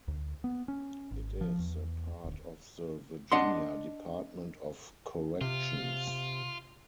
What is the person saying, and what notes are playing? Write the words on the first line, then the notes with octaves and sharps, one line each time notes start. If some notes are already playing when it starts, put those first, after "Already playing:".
It is a part of the Virginia Department of Corrections.
D2
B3
C#4
G#1
F3
E2
D1
D4 D#5 F#5 C6
C3 F4